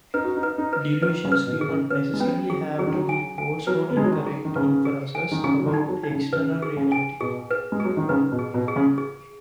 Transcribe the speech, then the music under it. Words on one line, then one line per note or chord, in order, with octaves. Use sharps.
Delusions do not necessarily have to be false or 'incorrect inferences about external reality'.
D#4 B4
F#4
D#4
B4
D#4
B4
D#3 B4
C#3
B4
B2
G#4
C#3
C#4 B4
G#3
B3 C#4
F#3 G#4
F#3 G#4
D#3
F#3
G#5
G#5
F#3 B4
B3
G#3 D#4
F#3
D#3
G#4
D#3
C#3 B4
G#4
G#5
D#3
C#3 G#4
F#3
D#3
D#4
F#3
D#4
C#3
C#3 B4
G#4
C#3
G#5
B2 G#4
B4
G#3
G#4
F#3
D#3
C#3 B4
B2
G#4
B2
G#4
C#3
G#4